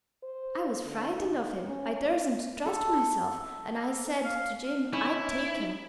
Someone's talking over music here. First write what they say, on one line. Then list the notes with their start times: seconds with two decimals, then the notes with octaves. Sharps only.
I was frightened of him. I duresn't trust myself, and I said to Jim I'd take him.
0.23 C5
0.85 D3
1.19 D#4
1.66 C#4
2.66 A4
4.25 F5
4.93 C#4 D#4 E4